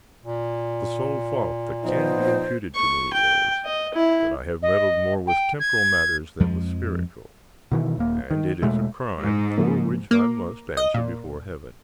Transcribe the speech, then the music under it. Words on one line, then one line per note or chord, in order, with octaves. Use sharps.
The sole fault that can be imputed to me is, that I have meddled more with temporal matters than with spiritual, and it is a crime for which I must answer before Heaven.
A#2
F3 B3 D#4 C5
C#6
G5
D#5
E4
D#5
G5
G#6
F2 F3 G#3
B2 D#3 E3
D#1 A#3
D#3
E1 B2 G#3 A3
G#2
C#3 F3 A#3
A#3
D#5
A#2